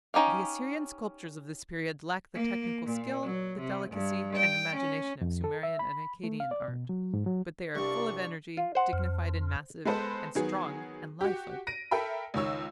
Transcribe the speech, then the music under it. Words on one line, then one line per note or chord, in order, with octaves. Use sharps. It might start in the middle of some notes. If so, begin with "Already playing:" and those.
The Assyrian sculptures of this period lack the technical skill, the delicacy and imagination of Sumerian and Akkadian art, but they are full of energy, dignified and massive, and strong and lifelike.
C#4 D#4 G4 F5
A#3
A#2
F#3
C3
G2
G5
C#4
F2
A4
E5
B5
A3
F5
D5
B2
F#3
G#2
F#3
C2 G2 D4 C#6
F4
C5 F#5
F2
G#3 B3 A4 B4 C5
D#3 F#3 B3 G#4
F#4 G4
A#6 D7 D#7
A4 A#4 E5 G5 B5
C#2 D#3 C#5 E6